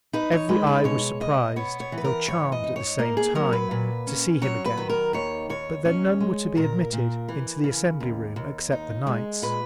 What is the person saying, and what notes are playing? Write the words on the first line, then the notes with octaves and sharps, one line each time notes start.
Every Eye was surpriz'd, tho' charm'd at the same Time to see him again: But then none were to be admitted into the Assembly-Room except the Knights.
D#4 B4
C#5
G#3 B4
B4
B2 C#5
B2 D#5
B3 C#5
C#5
E3
B4
A#4
G#2 C#5
D#5
D#4
C#5
A#3 A#4
G#4
F#3 A#4
B4
A#2
C#4
F#3 C#5
B4
D#3
A#4
D#2 C#5
D#2 C#5
C#4 C#5
G#3
A#2 A#4
A#2
E3
C#3
D#2
D#2
D#4
G#3
A#2 B4